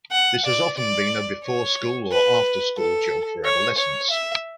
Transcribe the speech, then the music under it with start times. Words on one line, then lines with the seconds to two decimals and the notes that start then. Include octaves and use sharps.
This has often been a before-school or after-school job for adolescents.
0.12 F#5
0.46 D5
0.78 D5
1.45 C#5
2.12 B4
2.78 A4
3.45 C#5
3.78 C#5
4.11 E5